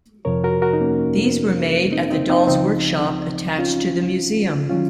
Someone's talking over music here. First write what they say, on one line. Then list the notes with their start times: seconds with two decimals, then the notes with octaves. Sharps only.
These were made at the Dolls Workshop attached to the Museum.
0.25 F2 C3 F3 A#4 C#5
0.44 F#4 A#4
0.62 F#4 A#4
0.73 D#4
0.81 A#3 C#4
1.92 C4 D#4
2.10 C4 D#4
2.30 C4 D#4
2.47 C#2 C#3 F3 C4 D#4
3.59 C#4 F4
4.69 D#3 F#3 C#4 F4